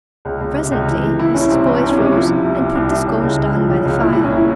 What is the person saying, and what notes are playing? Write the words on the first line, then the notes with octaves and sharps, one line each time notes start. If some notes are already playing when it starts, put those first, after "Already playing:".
Presently Mrs. Boyce rose and put the scones down by the fire.
C#2
C#2
C3
C#2
E3
E3
E3 E4
C2 C#4
C3 C4
E3 C#4
C2
C#4
C3
C#4
F3 E4
F3
C2
C2
C2
C2
C#3
C#2
C#2
F3
C#3
C#2
A#2 E4
C2 E4
C#4
E4